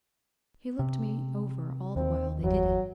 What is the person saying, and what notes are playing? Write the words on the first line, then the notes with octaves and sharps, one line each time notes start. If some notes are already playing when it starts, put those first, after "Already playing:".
He looked me over all the while they did it.
C3
D#2 C4
G1 E2 F#3